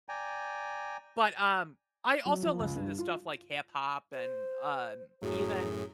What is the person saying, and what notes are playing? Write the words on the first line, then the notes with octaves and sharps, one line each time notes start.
but, um, I also listen to stuff like hip-hop and, um, even,
D5 G5 G#5 A#5
F#3
F3
C#2
G2
F4
C5
F#2 A2 F#3 G#4